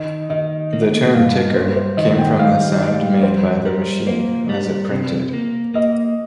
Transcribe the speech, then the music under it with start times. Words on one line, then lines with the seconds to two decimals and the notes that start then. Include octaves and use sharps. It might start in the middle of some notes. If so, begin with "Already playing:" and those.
The term "ticker" came from the sound made by the machine as it printed.
Already playing: D#3 D#5
0.30 D#3 D#5
0.73 A#3
1.14 G2 F5
1.55 G2 C5
1.76 C5
1.97 D#3 D#5
2.19 G5
2.39 G3 F5
2.81 G3 D#5
3.23 F2 C5
3.65 G3 A#4
4.07 A#3 C5
4.49 G3
4.91 C3
5.34 A#3
5.74 A#3 D#5